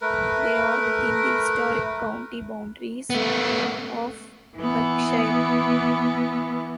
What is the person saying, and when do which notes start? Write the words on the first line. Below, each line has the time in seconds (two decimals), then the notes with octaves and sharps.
They are within the historic county boundaries of Berkshire.
0.01 A3 A#4 B4
3.10 A3 B3
4.57 E3 B3